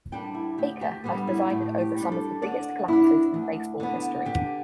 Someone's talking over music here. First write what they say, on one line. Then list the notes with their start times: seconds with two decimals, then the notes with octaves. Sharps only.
Baker has presided over some of the biggest collapses in baseball history.
0.12 D3 G3 D4 G5
0.35 E4
0.58 D2 G4
0.81 G4
1.04 D3 G3 B3 G4
1.27 E4
1.50 A2 G4
1.81 G4
1.96 G3 D4
2.12 A4
2.42 D3 D5
2.88 B3 D4 E4
3.34 D2
3.80 D3 B3
4.26 D3 G4